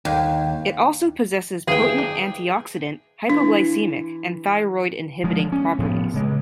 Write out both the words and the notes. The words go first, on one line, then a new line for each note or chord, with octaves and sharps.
It also possesses potent antioxidant, hypoglycemic and thyroid inhibiting properties.
D#2
D#2 E3 G#4 G5
D4
E3 D4
F3 G#3
C#4
A2 F3 B3
C#3 G#3